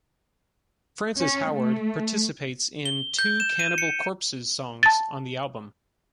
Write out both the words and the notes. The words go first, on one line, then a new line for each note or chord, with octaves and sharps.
Francis Howard participates in two Cannibal Corpse’s songs on the album.
C#4
A3
G7
G6
E7
D#7
C#7
A5 A6